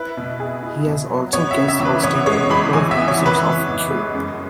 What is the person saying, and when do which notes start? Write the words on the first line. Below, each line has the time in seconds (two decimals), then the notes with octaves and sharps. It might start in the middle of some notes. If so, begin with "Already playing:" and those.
He has also guest hosted a number of episodes of "Q".
Already playing: E4 B4
0.17 B2
0.40 G#4
0.63 E4
0.87 B2
1.10 F#3
1.33 B3 C#5
1.51 E5
1.57 C#3
1.68 E5
1.80 E2
1.85 B4
2.03 B3 C#5
2.26 G#3 C#5
2.50 E2 B5
2.73 E3 G#5
2.91 E5
2.97 B3
3.08 C#5
3.20 E3
3.26 B4
3.43 E3
3.67 G#2
3.90 G#3
4.14 F#2